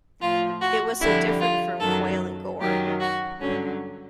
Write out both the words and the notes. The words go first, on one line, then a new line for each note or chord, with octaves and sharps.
It was so different from Quayle and Gore.
A2 F3 F4
F#4
F2 D3 G3 E4
F4
F#2 D#3 F#3 A4
F#2 D#3 F#3 G4
F#4
G2 D3 F#3 C#4